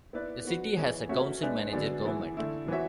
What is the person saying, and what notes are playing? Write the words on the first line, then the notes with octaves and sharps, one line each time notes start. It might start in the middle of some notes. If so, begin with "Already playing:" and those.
The city has a council-manager government.
B3 E4 B4 D5
B3 F#4 B4
E3 B3 E4 G#4 C#5
A3 C#4 F#4 C#5 E5
G#3 D4 G#4 B4 E5
D3 F#3 B3 D4 G#4
E3 B3 E4 G#4
D3 A3 E4
E3 B3 F#4 C#5 E5